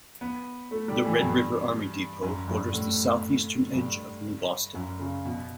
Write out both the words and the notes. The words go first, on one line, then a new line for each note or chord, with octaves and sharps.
The Red River Army Depot borders the southeastern edge of New Boston.
B3
A3
G3
E3
G2
F#2
G2
A2
G2
F#2
C#3
B2